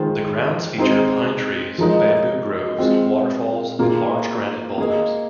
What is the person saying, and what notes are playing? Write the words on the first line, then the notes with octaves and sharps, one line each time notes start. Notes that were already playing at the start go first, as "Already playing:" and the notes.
The grounds feature pine trees, bamboo groves, waterfalls and large granite boulders.
Already playing: D#3 G#3 F4 C5
G#3 C4 D#4 G#4 C5
F3 G#3 D#4 A#4 D#5
G#3 C4 F4
A#2 A#3 F4 G#4
A#3 G#4 D#5